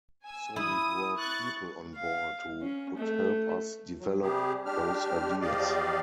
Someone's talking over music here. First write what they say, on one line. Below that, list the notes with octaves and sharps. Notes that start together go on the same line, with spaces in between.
So we brought people on board who would help us develop those ideas.
G#5 E6
E4 D#6
C#6 F#6 A6
F5
C#4
A3
F#3
C3 G3 G4 G#4
G#3 D4 G4 F6
E2 F3 G4 D5 D#5 F5